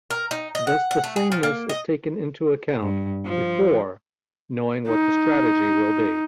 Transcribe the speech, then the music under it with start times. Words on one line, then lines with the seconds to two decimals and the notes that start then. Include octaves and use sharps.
Thus the sameness is taken into account "before" knowing what the strategy will be.
0.10 A#4
0.31 D#4
0.55 D#5
0.67 F#5
0.91 F#5
1.04 A3
1.16 G#4
1.32 F3
1.43 A#3
1.69 D#5
2.82 G2
3.26 F3
4.89 D#4